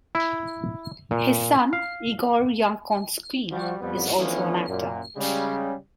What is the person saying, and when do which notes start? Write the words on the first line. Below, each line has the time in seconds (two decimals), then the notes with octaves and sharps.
His son Igor Yankovsky is also an actor.
0.15 E4
1.11 A#2
1.73 F5
3.51 F3 G3 F#4
3.81 F2 G3 B3
4.18 E3 F3 A3 B3 C#4 D4
4.68 F#2 A#2
5.16 C#3 G3 G#3